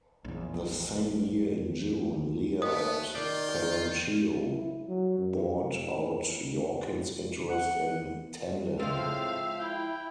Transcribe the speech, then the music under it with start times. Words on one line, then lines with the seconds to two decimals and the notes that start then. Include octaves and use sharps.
The same year in June, Lear and Perenchio bought out Yorkin's interest in Tandem.
0.25 A#1 E2
2.62 D#2 A3 B3 D#6
3.15 D#3 F4 D5 G6
4.50 E4
4.88 F#3
5.18 F#2
5.57 F1
5.88 A1
7.50 F#5
8.79 A2 F3 G#3 C4 E5 F5
9.59 E4 G5